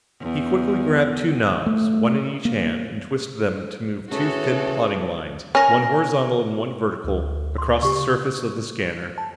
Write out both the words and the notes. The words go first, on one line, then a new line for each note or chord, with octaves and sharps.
He quickly grabbed two knobs, one in each hand, and twisted them to move two thin, plotting lines, one horizontal and one vertical, across the surface of the scanner.
E2
A3
A#3
C#3 E3 A3 F#4 A4 C#5
C#4 A#4 G#5 F6
D2
C6
C#3 G4 C#6
A5